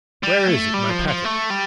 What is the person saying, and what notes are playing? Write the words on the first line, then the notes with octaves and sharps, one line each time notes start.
"Where is it, my packet?"
G3
A3
G3
F3
F3
A3
G3